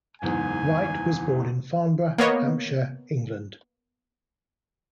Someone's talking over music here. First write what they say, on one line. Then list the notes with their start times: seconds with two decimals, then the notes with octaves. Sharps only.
Wright was born in Farnborough, Hampshire, England.
0.22 F#1 E2 G#2 G#5
2.18 A#3 B3 C#5 D#5